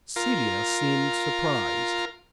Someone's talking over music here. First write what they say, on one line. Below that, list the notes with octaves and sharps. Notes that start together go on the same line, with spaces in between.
Celia seemed surprised.
F4 A#4